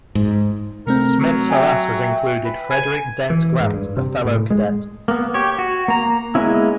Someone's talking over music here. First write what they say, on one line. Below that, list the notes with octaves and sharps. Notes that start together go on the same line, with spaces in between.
Smith's harassers included Frederick Dent Grant, a fellow cadet.
G#2
C3 A3 C4 A#4
F#3
E5 G5 G#5
B4
G#5
E3
G#2
G2
C3
A2
G#3
A#3 B3
G4 C#5
F#4
A#3 A#5
G#3 A#3 B3 C#4 E4